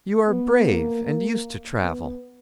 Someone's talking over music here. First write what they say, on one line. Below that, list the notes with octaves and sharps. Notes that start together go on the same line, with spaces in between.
You are brave and used to travel.
B3
A#3
A#3
B3